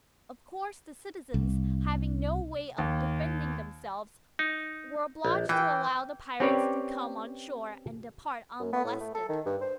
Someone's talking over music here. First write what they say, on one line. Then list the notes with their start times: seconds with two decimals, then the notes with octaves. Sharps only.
Of course the citizens, having no way of defending themselves, were obliged to allow the pirates to come on shore and depart unmolested.
1.34 C2
2.78 D#2
4.39 D#4
5.25 A#1
5.49 E3 G5
6.40 C4 C#4 G4 B4 C#5 D5
8.60 F#2
8.73 B3
8.85 A2
9.00 A3
9.15 A4
9.29 D#3
9.46 G2
9.61 C5